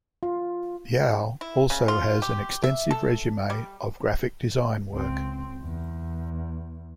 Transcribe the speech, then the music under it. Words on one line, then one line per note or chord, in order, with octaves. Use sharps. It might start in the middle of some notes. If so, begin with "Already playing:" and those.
Yow also has an extensive resume of graphic design work.
F4
E4
C#3
F4
G4
E5
A4
G3
C#2 C4
E2